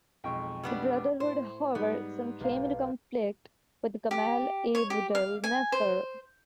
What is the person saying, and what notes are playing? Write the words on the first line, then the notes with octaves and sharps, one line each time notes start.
The Brotherhood, however, soon came into conflict with Gamal Abdel Nasser.
B1 F2 G#3 G5 C#6
G3 B3 D4
A2 C5
G#2 G3 B3
B1 F5
G4
C#5
G4
F5
G#5
C5